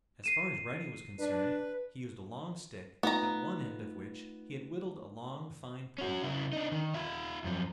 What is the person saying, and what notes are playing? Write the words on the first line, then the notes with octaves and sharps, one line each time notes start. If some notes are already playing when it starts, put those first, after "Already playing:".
As far as writing was concerned, he used a long stick at one end of which he had whittled a long, fine point.
C7 D#7 E7
D4 B4
A3 B3 D#4 F4 A#5
C#4 F#4
C#3 E4
D4 D#4
D#3
F4 E5
F#2 F3